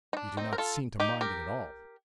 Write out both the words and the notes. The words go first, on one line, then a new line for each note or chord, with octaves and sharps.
"You do not seem to mind it at all."
D#4
D4
C4 D#4
A#4
F4 A4
D#4 G4
G4 A#4